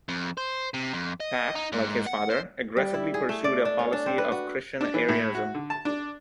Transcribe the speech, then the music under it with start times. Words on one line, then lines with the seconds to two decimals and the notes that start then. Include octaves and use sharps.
Pap, like his father, aggressively pursued a policy of Christian Arianism.
0.09 F2
0.37 C5
0.74 C3
0.93 F2
1.20 D#5
1.55 D#4
1.72 G#2
2.06 F#5
2.30 C5
2.77 G3
2.94 E4
3.14 G#4
3.29 A3
3.44 D5
3.65 D4
3.79 C#4
3.93 D4
4.06 C4
4.18 B4
4.32 F#4
4.81 D4
4.94 E3
5.09 A2
5.35 F#4
5.54 D3
5.70 A5
5.85 D4